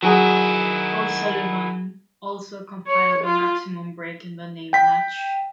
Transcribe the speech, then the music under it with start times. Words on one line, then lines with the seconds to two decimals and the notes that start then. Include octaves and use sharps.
O'Sullivan also compiled a maximum break in the same match.
0.02 D#3 F#3 E4 G#4
2.87 C#5
3.24 F4
4.73 G5 B6